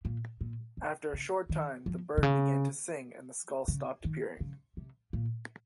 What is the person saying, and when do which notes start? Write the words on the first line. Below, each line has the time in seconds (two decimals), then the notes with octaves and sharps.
After a short time, the bird began to sing and the skull stopped appearing.
0.05 A#2
0.41 A#2
0.77 C3
1.13 C#3
1.49 D#3
1.86 F3
2.17 C3
2.23 C#3
3.68 C#3
4.05 D#3
4.40 C#3
4.77 C3
5.13 A#2